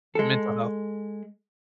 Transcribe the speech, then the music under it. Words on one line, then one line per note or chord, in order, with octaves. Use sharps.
your mental health.
G#3 A4